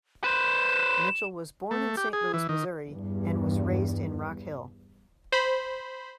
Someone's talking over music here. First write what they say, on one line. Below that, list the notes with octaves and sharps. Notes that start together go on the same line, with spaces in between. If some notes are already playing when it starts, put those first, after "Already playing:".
Mitchell was born in Saint Louis, Missouri and was raised in Rock Hill.
B4 C5 E7
A3
G4
G#4
E3
D#3
E2 G2
C5 B5